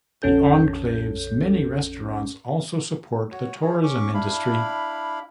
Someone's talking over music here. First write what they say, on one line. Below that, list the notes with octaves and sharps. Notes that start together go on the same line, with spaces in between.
The enclave's many restaurants also support the tourism industry.
A#1 F2 C#4 A4 G6
F#4 C#5
E4 G#4 C#5
C#4 C#6 D6
D4 E4 F5 B5